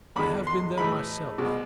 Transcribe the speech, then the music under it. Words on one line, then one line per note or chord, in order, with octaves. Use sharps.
I have been there myself.
E2 D3 G#3 B5
C6
A2 E3 G#3 B5
C2 B2 G#3